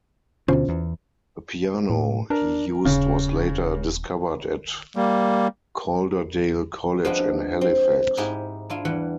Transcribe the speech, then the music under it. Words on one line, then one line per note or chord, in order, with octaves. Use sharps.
A piano he used was later discovered at Calderdale College in Halifax.
D2 B2 D3 C#4 F4 C5
E2
A2
D4 A#4
D#1 C#3
G3 A#3
F3 G#3 C4 D4 F#4 B4
C4
G#2 D#4 E4 G4 G#4
D4 E4 F4
E2 E3 G3 F#5